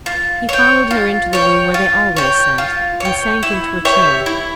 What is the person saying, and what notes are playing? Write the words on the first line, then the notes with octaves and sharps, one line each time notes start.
He followed her into the room where they always sat, and sank into a chair.
F4
C#5 G5
F4
C#5 G5
F4
C#5 G5
F4
C#5 G5
E4
G4 C#5 E5
E4